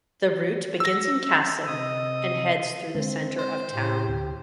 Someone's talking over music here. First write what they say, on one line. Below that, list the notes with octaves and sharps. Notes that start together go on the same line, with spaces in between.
The route begins in Kasson, and heads through the center of town.
E6 A#6
C3 D#5 D#6
D3 G#3 C4 D4
C5
A2 G4
D2